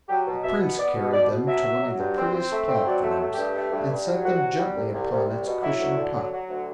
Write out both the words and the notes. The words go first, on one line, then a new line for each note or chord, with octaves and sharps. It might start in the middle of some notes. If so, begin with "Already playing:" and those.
The Prince carried them to one of the prettiest platforms and set them gently upon its cushioned top.
F#3 G4
B2
B2 E5
B3
B3 D5
B2
B2 D5
B2
F#3 E5
F#3
F#3
G2
C4
C4
A3
C4
F#3 D5
A3
C5
A3
G2 G4
A3
G2
G2
F#3
C2 F#4
C2
G3
C2
C2
C2
C2
B2
F#3 E4
D2
D3
F#3
F#3
D2